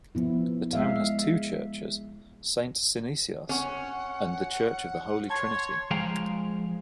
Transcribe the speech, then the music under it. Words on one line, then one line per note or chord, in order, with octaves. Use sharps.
The town has two churches: Saint Synesios and the church of the Holy Trinity.
F3 B3 E4
G#3 E5 F5
C#4 F#5
C#5 A5 C6 G#6
F3 G#3 F5 G5 A#5